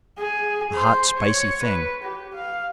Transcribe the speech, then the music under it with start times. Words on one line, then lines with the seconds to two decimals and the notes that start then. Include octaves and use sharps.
A hot, spicy thing.
0.18 G#4
0.74 C5
1.18 C#5
1.62 B4
2.03 G4
2.34 F5